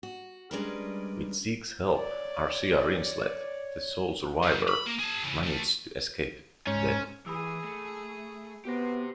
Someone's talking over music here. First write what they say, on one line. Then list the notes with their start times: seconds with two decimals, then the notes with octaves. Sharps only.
With Sieg's help, Arcia Rinslet, the sole survivor, manages to escape death.
0.03 F#4
0.51 G3 G#3 C#4 D4 A#4 B4
1.97 C#5 D5
4.43 F#2
4.68 B5
4.86 A#3
4.99 G#4 A5
5.23 C#3 E3
5.43 D2 A3
6.67 G#2 C#4
7.26 E3 G#4 B5 D#6 E6
7.64 A3
8.65 B3 F#4 G4 B4 C5 A#6